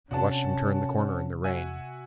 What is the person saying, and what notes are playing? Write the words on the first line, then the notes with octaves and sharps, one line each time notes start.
I watched him turn the corner in the rain.
C3 C#4 D4 F#4 A5
F#4 E5 G#5